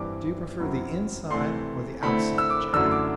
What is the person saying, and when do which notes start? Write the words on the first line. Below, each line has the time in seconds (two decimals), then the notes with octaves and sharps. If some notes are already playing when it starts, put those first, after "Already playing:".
"Do you prefer the inside or the outside, J.?"
Already playing: G2 E3 G3 C4 D6
0.60 F#2 F#3 C4 E4
1.30 C3 E3 A3 C6
2.03 D3 A3 C4 E4 B5
2.38 E6
2.50 D6
2.73 F#2 D3 F#3 A3 E4 E6
2.91 D6